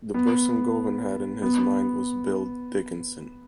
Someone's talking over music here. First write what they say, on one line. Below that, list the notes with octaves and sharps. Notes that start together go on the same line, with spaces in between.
The person Govan had in mind was Bill Dickinson.
B3
B3